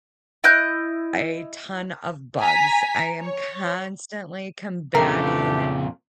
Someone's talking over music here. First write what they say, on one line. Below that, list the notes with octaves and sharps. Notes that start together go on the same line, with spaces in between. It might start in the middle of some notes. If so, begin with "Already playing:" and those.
a ton of bugs. I am constantly combating
E4 D#5 F#6 G6
G#5 A#5 B6
C#5
F2 A#2 C#3 F3 A3 D4 G4 A#4